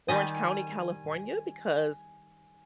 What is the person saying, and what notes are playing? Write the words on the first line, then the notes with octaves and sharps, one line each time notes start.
Orange County, California, because
D#3 G3 D#5 G#5